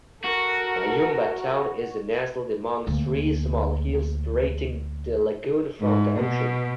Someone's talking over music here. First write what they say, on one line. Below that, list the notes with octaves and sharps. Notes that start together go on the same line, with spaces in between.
Mayumba town is nestled among three small hills separating the lagoon from the ocean.
F#4 A4 A#4
D2 A#3
G#2
B2